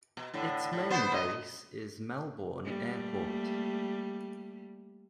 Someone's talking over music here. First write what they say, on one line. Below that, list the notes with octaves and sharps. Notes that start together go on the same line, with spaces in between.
Its main base is Melbourne Airport.
B2
A2 D3
A2
B3 C5
B2 D#5
G3 A3 A#3